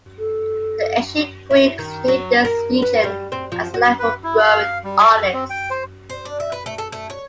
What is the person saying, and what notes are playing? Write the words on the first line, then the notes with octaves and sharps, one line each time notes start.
The ancient Greeks knew this region as a land for growing olives.
A4
E4
D#3
F#3
A#4
B4
G3
C4
F3
F#4
B4
E4
F5
G3
A4
C4
G5
C5
C5
D4
E5
B4
A3
A4
A3
C#5